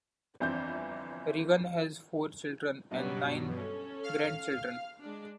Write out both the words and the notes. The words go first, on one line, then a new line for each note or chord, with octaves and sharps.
Regan had four children and nine grandchildren.
G1 F2 E3 C4 D4 G6
G2 B2 F#3 G3 B3
C#4 A4
F5 F6
G#3 D4